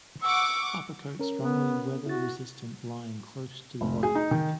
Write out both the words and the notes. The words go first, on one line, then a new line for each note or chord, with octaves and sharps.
Upper coat strongly weather-resistant lying close to body.
F#5 C#6 D6 E6
C#4 A#4
B3
E4 F#4 A6
F1
G#4
D#4
D#3